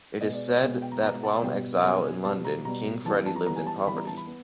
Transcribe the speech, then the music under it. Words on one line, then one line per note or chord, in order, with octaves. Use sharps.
It is said that while in exile in London, King Freddie lived in poverty.
B2 G#3 B3 D#5
D5
C#5
B2 G#3 B3 G5
G5
A#5
B2 G#3 B3 A#5
A5
B2 G3 B3 G5
G5
B2 G3 B3 G#5
B2 G3 B3 A5
A#5
B2 G3 B3 A#5
E3 G3 B3 A5
A5
A#5
E3 G3 B3 A#5
G#5
A5
E3 G3 B3 B5
A#5
A5
B5
B3